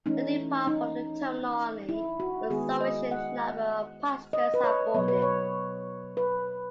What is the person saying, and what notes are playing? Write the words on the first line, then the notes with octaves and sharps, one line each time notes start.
They depart from the terminal only when a sufficient number of passengers have boarded.
E3 A3 C#4 D#4
D#4
E4
F#4
D#3 G#3 B3 G#4
D#5
F#5
D#5
B4
C#5
B2 F#3 B3 C#5
B4
C#5
B4